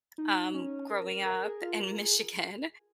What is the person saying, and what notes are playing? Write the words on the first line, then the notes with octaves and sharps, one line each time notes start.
um, growing up in Michigan
D#4
C#4
A#4
A#4
A#4
G#4
F4
A#4
G#4